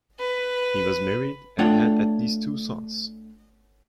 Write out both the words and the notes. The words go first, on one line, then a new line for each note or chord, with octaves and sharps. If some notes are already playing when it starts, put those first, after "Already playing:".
He was married and had at least two sons.
B4
A3 D4 F4 C#5 F#5 G5